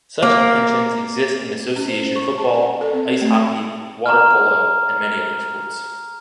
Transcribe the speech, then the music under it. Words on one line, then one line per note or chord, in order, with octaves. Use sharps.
Such intentions exist in association football, ice hockey, water polo and many other sports.
A#3
C#4
C5
C#6
A5
F#5
A4
C4
A3
A#5 F6